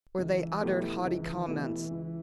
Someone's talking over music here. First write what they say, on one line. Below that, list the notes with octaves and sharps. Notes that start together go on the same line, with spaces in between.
Or they uttered haughty comments.
C#2 E3
B2 A3 E4 G4
C#2
B2 A3 E4 G4
C#2